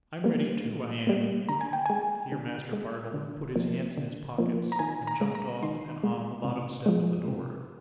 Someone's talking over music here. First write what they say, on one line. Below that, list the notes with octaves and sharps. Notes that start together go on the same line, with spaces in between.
I'm ready too, I am.' Here Master Bardell put his hands in his pockets, and jumped off and on the bottom step of the door.
G3 A#3
A#2
G3 A#3
D3 A#5
G#5
G5
G#3 G#5
D3
G#3
D3
F3 A#3
D3
F3 A#3
A#5
D#3 G#5
A#5
G#3
A#5
D#3 C6
G#3
C3
F3 G#3
C3